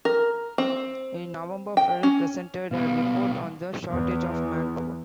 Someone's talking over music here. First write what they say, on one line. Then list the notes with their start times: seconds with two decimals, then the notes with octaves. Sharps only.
In November Ferry presented a report on the shortage of manpower.
0.05 A#4
0.58 C4
1.77 G5
2.03 C#4
2.71 B1 G3 B3 F5
3.89 E2